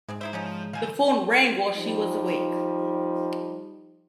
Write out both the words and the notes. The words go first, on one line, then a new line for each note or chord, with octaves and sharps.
The phone rang while she was awake.
G#2 G#3 C4 G#4
D#4 E4 C5 E5
F3 G3 C#4 D#4
D#3 F3 F5 G#5
F3 G3 D#4